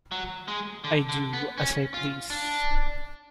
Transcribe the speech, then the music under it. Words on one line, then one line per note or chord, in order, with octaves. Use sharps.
I do as I please.
F#3
G#3
D3
D3
B3
C#4
F4
D4